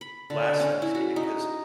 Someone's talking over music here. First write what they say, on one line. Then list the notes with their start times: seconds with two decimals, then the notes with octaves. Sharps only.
last Thanksgiving, 'cause
0.01 B5
0.30 D3
0.60 C#4
0.82 E4
0.95 F#4
1.16 D#4